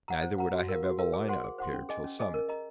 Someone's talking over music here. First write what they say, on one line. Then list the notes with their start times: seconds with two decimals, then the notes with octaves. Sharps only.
Neither would I have Evelina appear till summoned.
0.08 F#5 A#5
0.23 C5
0.38 F#5 A#5
0.53 F#4
0.69 A#4 F5
0.84 F#4
0.99 A#4 F5
1.13 G#4
1.28 C5 F#5 C6
1.44 G#4
1.59 C5 F#5 C6
1.73 C#4
1.89 G#4 D#5 G#5
2.04 C#4
2.19 G#4 D#5 G#5
2.34 A#4
2.49 D#5 A#5